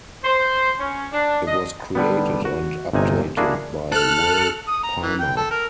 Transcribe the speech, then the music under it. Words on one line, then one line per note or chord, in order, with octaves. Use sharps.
It was created and updated by Wil Palma.
C5
C#4
D4
D#5
D3 G3 B3
F#4
G1 C3 D#4 G#5
A#3 D4 E4 F#4 G#4
A4 F6 F#6
D#6
A#5
E3
G5
A4
A#4